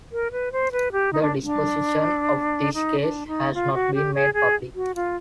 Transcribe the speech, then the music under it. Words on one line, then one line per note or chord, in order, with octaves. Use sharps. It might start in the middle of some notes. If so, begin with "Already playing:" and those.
The disposition of this case has not been made public.
A#4
B4
C5
B4
G4
D#4
D4
D4
D#4
D4
D#4
F4
F#4
G4
G#4
G#4
F#4
F4